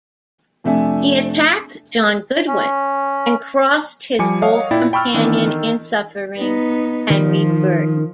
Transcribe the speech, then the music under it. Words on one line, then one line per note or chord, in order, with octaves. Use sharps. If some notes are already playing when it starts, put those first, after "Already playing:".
He attacked John Goodwin and crossed his old companion in suffering, Henry Burton.
F2 C3 A3 D4 E5 G#5
C#4
F3 G3 G#5 D6 C#7
C#5 D#5 F5 F#5 D#6
A#2 E4 D5 G5 A6
G5 B5 C#6 E6 F6
D#3 E3 B3 D4
D#3
B3 D#4
D#3 F3